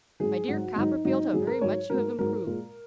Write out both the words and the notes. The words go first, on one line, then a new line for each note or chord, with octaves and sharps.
My dear Copperfield, how very much you have improved!
G#2 F#3 G#4
G#2 F#3 F#4
G#2 F#3 D#4
G#2 F#3 D#4
G#2 F#3 G#4
A#4
G#2 F#3 C#5
G#2 F#3 A#4
G#2 F#3 A#4
A#2 G#3